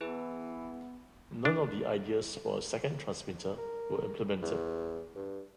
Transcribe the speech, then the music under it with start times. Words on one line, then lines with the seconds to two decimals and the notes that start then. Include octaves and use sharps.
None of the ideas for a second transmitter were implemented.
0.01 E3 B3 E4 G#4 B4
1.45 D4
3.58 A#4
4.42 E2
5.16 G2